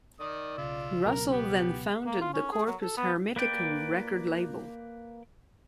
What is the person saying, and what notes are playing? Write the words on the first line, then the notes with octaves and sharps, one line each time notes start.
Russell then founded the Corpus Hermeticum record label.
D#3 D5 D#6
B1 C#3 F4 E6
C#2 B2 F#3 A#4
B3 G4
A#3
F4
C#4
G#4
F#3
A4
B3
A#3 B4 D5 G5